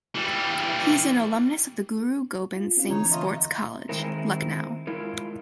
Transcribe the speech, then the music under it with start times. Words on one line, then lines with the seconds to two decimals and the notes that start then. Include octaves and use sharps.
He is an alumnus of the Guru Gobind Singh Sports College, Lucknow.
0.16 E3 G3
2.56 F4
2.77 C4 C#4 F4
2.90 D3 E3 D#4 C#5
3.12 A3 F4 D#5
3.89 D#3 G#3 C4 E4 A#4
4.87 G#3 E4 F4 A#4